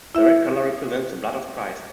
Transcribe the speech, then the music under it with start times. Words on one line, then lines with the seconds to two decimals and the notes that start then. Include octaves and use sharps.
The red colour represents the blood of Christ.
0.15 E4 E5